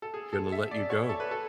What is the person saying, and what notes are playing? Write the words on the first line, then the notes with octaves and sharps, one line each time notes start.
gonna let you go,
A4
G#4
A4
E5
D5
C#5
A4
B4
A4